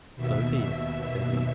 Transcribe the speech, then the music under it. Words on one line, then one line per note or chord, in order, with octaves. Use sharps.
"So be it," said he.
D#2 B2 E5